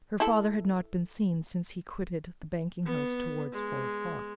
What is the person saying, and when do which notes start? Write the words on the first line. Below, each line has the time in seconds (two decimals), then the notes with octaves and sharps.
Her father had not been seen, since he quitted the banking-house towards four o'clock.
0.20 E4 A4
2.85 B3
3.53 G#3